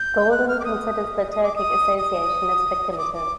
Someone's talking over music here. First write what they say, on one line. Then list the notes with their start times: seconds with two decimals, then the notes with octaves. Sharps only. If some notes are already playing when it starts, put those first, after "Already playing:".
Golden considers the Turkic association as speculative.
Already playing: G6
0.31 F#6
0.48 F6
0.60 D6
0.65 D#6
1.32 D#6
1.43 D6
1.56 D#6
1.98 D#6
2.92 D#6
2.98 D6
3.15 D6